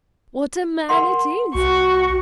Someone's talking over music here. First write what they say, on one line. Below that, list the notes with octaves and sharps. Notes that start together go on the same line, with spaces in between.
What a man it is!
A#4 F#5 C6
C2 F#4 C#6